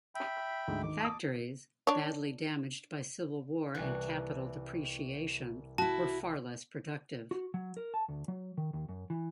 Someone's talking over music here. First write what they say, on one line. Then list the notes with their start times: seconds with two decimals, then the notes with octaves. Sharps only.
Factories, badly damaged by civil war and capital depreciation, were far less productive.
0.15 E5 G5 B5
0.68 D2 G#2
0.83 D#3 D6
1.01 A5 D#6
1.87 D4 C#5
3.75 C2 E3 F#6
5.78 E4 F#4 A5
7.31 F#4
7.54 F#3
7.77 A#4
7.94 A5
8.08 D2
8.28 F#3
8.58 D#3
8.73 D#2
8.89 F#2
9.10 E3